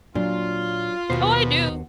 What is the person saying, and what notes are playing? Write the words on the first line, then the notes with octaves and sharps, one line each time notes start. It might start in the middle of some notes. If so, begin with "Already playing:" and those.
Oh, I do,
A#2 F#3 D4 F4
D#2 B2 B3 F#4 C5